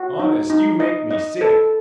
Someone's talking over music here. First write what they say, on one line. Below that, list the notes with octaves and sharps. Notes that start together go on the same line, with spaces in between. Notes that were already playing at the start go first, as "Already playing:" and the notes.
"Honest, you make me sick!"
Already playing: F#4
D#4
D#4
D#5
D#5
A4